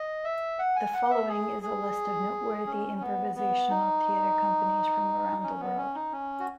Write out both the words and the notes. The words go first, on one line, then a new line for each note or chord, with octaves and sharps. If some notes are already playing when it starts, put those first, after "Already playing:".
The following is a list of noteworthy improvisational theatre companies from around the world.
Already playing: D#5
E5
F#5
G#5
F#5
E5
G#4
G#4
C#4
B3
B3
D#4
C#4
B3
C#4
D#4
C#4
F#4